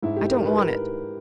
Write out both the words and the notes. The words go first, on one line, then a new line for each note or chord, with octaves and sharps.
I don't want it.
G#2 E4
G#2 G4
A#4
G#2
B4
A#4